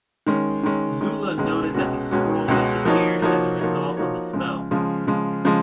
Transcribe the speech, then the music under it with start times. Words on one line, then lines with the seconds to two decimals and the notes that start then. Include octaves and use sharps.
Zula noted that the scroll disappeared as a result of the spell.
0.26 D#3 G#3 C#4
0.63 D#3 G#3 C#4
1.01 D#3 G#3 C#4
1.38 C#2 B2 G#3 C#4 F#4
1.74 C#2 B2 G#3 C#4 F#4
2.11 C#2 B2 G#3 C#4 F#4
2.48 C#2 B2 G#3 C#4 F#4
2.85 F3 A#3 D#4 F#4 C#5
3.22 F3 A#3 D#4 F#4 C#5
3.59 F3 A#3 D#4 F#4 C#5
3.97 F3 A#3 D#4 F#4 C#5
4.33 C#3 F3 G#3
4.71 C#3 F3 G#3
5.07 C#3 F3 G#3
5.45 C#3 F3 G#3